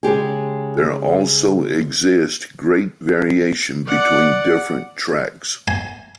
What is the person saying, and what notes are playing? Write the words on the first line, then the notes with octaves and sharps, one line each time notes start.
There also exists great variation between different tracks.
C#3 G#3 G4 G#4
D5 F#5
G#5